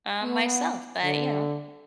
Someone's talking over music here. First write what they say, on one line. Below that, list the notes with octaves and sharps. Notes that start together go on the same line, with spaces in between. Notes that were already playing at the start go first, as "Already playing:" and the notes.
uh, myself, but you know,
B3
D3